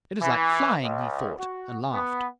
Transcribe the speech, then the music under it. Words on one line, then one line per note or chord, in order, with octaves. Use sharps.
"It is like flying," he thought and laughed.
E3
C#2
F#4
B3